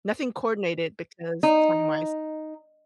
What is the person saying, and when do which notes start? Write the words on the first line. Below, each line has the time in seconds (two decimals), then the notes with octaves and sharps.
nothing coordinated because timewise
1.43 D#4